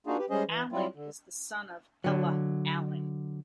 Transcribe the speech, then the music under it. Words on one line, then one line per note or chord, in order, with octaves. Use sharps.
Allen is the son of Ella Allen.
A#3 D4 D#4 F4 F#4 G#4
G4 B4
G3 G#3 C#4 G#4 C5 D#5
E3
F#3 G3 C4 E4 F4
D3
D3 F#3